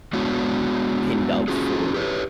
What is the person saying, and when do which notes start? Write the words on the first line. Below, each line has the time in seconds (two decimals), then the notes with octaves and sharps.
pinned up for,
0.13 G#3 B3 D4 F#4 C#5 F5
1.48 C#4 F4 F#4 G#4
1.94 G4 B4 C#5